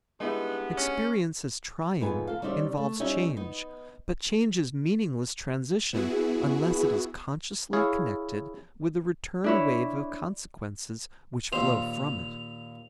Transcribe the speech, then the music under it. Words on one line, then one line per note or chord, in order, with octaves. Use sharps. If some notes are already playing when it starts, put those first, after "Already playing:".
Experience as trying involves change, but change is meaningless transition unless it is consciously connected with the return wave of consequences which flow from it.
G2 G#3 B3 D#4 E4
C#4
F2 G#2 B3 D#4 B4 G#5
A4 F5
G3 C#4 D#4 C5 D5 E5
A3
G3 C#4 D#4 E5
B3 D#4
B3 E4 F#4 G#4
E4 G#4 C#5 F5
D4 E4 C#5
D#2 A#2 C5 F7